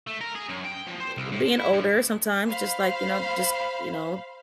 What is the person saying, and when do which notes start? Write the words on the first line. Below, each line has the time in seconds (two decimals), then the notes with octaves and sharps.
be being older sometimes just, like you know, just you know,
0.07 A3
0.21 A#4
0.35 G#4
0.49 F#2
0.65 G5
0.87 F3
1.00 C5
1.17 C2
1.32 A2
1.46 A5
1.59 E4
1.73 G2
2.48 C5 F5 B5